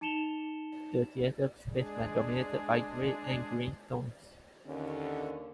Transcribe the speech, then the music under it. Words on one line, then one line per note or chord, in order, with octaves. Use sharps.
The theatre space was dominated by grey and green tones.
D#4 A5 C#7 E7 F7 G7
G#3 D4 G#4
D#2 D3 C#4